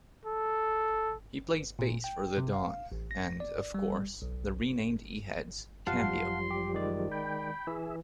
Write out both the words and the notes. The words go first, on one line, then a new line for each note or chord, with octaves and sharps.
He plays bass for The Dawn and, of course, the renamed Eheads, Cambio.
A4
A#2
G5
C3
F5
A1
A#6
D5
G3
B1
F#2 F3 G3 F5 F#5 A5 C6
G4
D#3 G#3 D5
G5 B5
E3 G#4 E5